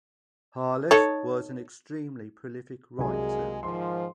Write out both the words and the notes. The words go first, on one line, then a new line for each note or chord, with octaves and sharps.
Harless was an extremely prolific writer.
D#4 A4 C#5
C2 F#3 G#3 A#3 G#4 G#5
G#2 D#3 F3 C6